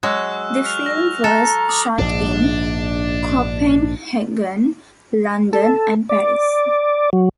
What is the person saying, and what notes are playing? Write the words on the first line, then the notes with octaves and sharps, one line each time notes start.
The film was shot in Copenhagen, London and Paris.
F#3 G#3 C#6 E6 F#6
F6 F7
A#6
A4 A#5
D6 D#6
A#1 G#2 D4
A4
D5
F#3